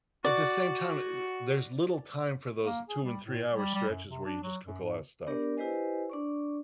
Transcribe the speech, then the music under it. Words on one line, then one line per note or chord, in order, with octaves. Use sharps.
at the same time, there's little time for those two and three-hour stretches where you just cook a lot of stuff,
F#4 D5
A#3
G#4
G3
A2
G3
G3
F#2
C3
D4
F#3
F#2
G#2
B3 D4 G4 A#4 D5
E4 G4 B4 C5 D#5 G#5
D4 D5 C#6